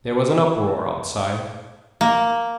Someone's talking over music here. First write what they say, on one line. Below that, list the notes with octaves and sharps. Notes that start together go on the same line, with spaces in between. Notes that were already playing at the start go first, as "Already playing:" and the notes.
There was an uproar outside.
A#3